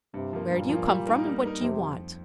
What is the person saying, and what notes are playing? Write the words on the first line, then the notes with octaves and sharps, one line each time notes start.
Where do you come from, and what do you want?'
G2 C3
F3 A#3
G2 A#2
F3 A#3
G3
A#3 D#4 A#4
G3
A#3 D#4 A#4
F2 C3